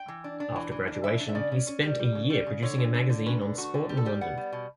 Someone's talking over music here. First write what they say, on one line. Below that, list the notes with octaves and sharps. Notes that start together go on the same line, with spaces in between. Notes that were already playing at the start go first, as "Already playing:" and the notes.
After graduation, he spent a year producing a magazine on sport in London.
Already playing: G5
E3
D4
D4
E3
E3
D4
E3 E5
D4
E5
C#3 D5
C#4
C#4
G3
G3
C#3
G3
C#3
D3 C#5
D3
D3
D3
C#4 B4
D3
A3 F#4
D3
G3 G4
A4
G3 G4
B3 F#5
G3
B2